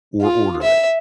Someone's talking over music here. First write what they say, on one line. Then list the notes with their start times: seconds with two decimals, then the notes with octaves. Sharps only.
or order it.
0.22 F4
0.62 E5